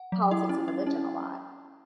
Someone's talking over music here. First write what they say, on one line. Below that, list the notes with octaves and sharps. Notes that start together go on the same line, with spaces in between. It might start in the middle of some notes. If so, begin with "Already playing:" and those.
politics and religion a lot,
Already playing: F#5
F#3
E4
C#4
E4
C#4